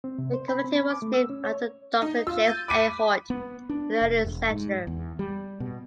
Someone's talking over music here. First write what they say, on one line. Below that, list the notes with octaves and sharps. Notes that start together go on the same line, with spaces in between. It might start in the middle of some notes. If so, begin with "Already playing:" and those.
The community was named after Doctor James A. Hoyt, an early settler.
C4
C3
C5
B5
C4
B5
D6
A3
E6
C#4
C#5
D#4
F4 E6
G6 A6 D#7
B5 D6 F#6 B6 D#7
B3
D4
F1
E1
G#2
E2
G3
B2